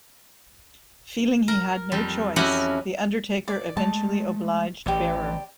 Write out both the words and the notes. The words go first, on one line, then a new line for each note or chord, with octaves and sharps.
Feeling he had no choice, The Undertaker eventually obliged Bearer.
A#4
F2 G3
F2 C#4 E4 F#4 G4 F#5
D5
G#3 A3 A5
A1 G4 D5